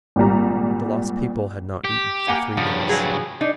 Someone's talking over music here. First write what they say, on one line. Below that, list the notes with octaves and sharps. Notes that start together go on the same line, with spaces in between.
The lost people had not eaten for three days.
G#1 A#2 G3 A#5
G4
A#3 F#5 G#5
G2 C#3 F3
F3 F#3 G#4
D4 D#4